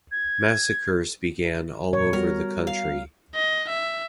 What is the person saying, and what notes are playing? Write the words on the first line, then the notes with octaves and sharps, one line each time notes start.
Massacres began all over the country.
G#6
E2 A#2 C#5
G3 B3 F#4 A#4
F5
D#5
E5